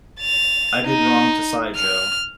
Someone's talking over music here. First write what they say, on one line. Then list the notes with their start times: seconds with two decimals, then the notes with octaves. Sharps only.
I did wrong to sigh, Jo.
0.20 A6 F7
0.86 D#4
1.76 F6